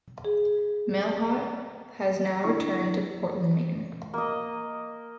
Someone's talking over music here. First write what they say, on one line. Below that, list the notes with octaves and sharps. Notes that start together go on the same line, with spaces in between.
Mailhot has now returned to Portland, Maine.
G#4
D3 E4 C#6
A#3 D#5